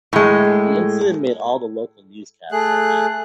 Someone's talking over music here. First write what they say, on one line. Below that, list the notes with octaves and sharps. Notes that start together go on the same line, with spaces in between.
The incident made all the local newscasts that night.
A2 G#3
A3 G#4 F#6